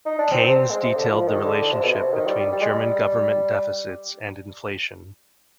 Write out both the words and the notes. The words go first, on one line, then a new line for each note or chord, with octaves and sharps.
Keynes detailed the relationship between German government deficits and inflation.
D#4
D4
C4
C4
C4
G#3
C3
D3
F3
D#3
D3
D3
C3
B2
C3
D#3
G3
G3
G3
G#3
G3